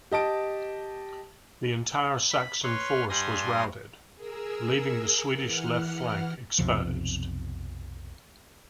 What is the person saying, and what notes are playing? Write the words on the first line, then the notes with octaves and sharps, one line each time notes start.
The entire Saxon force was routed, leaving the Swedish left flank exposed.
G4 D#5 A5 D7
B5
B4 C#5 C6 F6
G2 G3 G#5 C6 A#6
G#4 A#4 E6
E3 F#5 F6
B1 F2 C3 F3